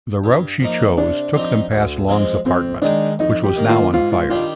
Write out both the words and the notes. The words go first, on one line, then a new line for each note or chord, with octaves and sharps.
The route she chose took them past Long's apartment, which was now on fire.
G2
F3 A#3 D#4
C3 D4
F3 C4 D#4 G4
D2
C3 F3 G#3 C4
F2 C4
D#3 G#3 D4 D#4
F2 D#4
G4
D#3 A#3
F4
G#2 F4
F4
D#3 G3 D4 F4 G4